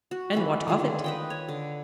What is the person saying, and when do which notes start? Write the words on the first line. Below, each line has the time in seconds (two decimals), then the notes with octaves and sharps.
"And what of it?"
0.11 F#4
0.33 E3 A4 B5
0.68 D3 D#3 F4 G#4
1.04 B4 D#5 G5
1.30 C#5
1.49 D3